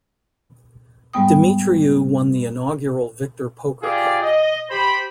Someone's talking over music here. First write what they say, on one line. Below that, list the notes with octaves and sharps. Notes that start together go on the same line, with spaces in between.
Demetriou won the inaugural Victor Poker Cup.
G#2 G3 G#3 B3 G5 D#6
F4 G4 G#4 D5
D#5
G4 C5 B5